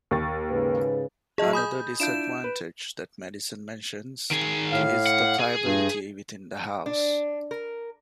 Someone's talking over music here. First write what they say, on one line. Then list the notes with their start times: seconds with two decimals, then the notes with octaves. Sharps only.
Another disadvantage that Madison mentions is the pliability within the House.
0.11 D#2 C#6 A6
0.50 G#2 C#3 B4
1.38 F#3 G#4 D#5 A5
1.53 G#5 B5 D#6 G6
2.00 D4 E4 F4 G6 D7 E7
2.44 B4
4.31 D#3 G#4
4.72 A2 F5
5.06 F#5
5.39 G#4
5.65 G2
6.86 D4
7.51 A#4